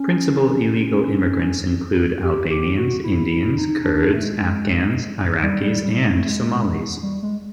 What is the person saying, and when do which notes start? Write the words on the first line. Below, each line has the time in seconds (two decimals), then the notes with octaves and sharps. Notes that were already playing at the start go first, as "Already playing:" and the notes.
Principal illegal immigrants include Albanians, Indians, Kurds, Afghans, Iraqis and Somalis.
Already playing: C#4
2.24 G4
2.51 G4
2.77 F#4
3.04 E4
3.30 E4
3.57 D#4
3.84 D4
4.14 A3
4.24 G#3
5.43 G3
5.63 G3
5.83 G3
6.03 G#3
6.15 A3
6.28 G#3
7.03 G3
7.23 G#3